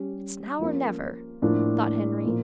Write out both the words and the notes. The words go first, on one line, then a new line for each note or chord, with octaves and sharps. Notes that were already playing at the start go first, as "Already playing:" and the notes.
"It's now or never," thought Henry.
Already playing: G3 C#4 G4
F3 A#3 C#4
A2 F3 A#3 D4
A#2 F3 A#3